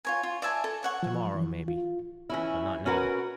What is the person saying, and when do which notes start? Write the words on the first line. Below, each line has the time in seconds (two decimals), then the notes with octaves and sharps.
Tomorrow maybe, but not now.
0.05 F4 C#5 G#5
0.23 F4
0.42 D5 E5 G#5 A5
0.64 A4
0.83 C#5 F#5 C#6
1.03 F3
1.35 E3
1.68 F4
2.29 E3 C#4 E4
2.86 C#4 F#4 A#4 B4